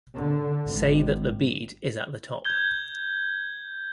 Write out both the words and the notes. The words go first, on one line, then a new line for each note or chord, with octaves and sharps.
Say that the bead is at the top.
D3
G#1
G6 G#6 G7